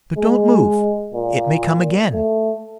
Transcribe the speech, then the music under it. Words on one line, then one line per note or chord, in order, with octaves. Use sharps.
But don't move; it may come again.'
G#3
A#2
A3